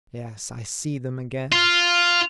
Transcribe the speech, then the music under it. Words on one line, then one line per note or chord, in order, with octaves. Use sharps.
Yes; I see them again.
F4